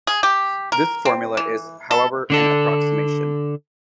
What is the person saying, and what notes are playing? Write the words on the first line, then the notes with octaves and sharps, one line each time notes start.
This formula is however an approximation.
G#4
G4
A#4
C4
E3
A4
D3 D4 A4